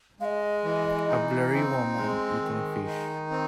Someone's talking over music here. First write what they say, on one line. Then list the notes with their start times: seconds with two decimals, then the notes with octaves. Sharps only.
A blurry woman eating fish.
0.20 G#3 D#5 F5
0.64 E3
1.08 D#4
1.53 C4
1.97 G#3
2.42 D#3
2.86 D#4
3.31 C4